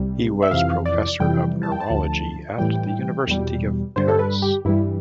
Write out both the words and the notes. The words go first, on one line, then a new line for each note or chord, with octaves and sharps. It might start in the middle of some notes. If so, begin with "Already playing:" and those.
He was professor of neurology at the University of Paris.
Already playing: C2 C3 G3
E5
F2 C3 E3 F5
D5
F2 C3 E3 G3 G5
A5
G5
A5
D2 D3 F3
A2 E3 G3 G5
E2 B2 G3
G2 D3 G3 C5
A4
B4
G4
G2 E3 G3 E4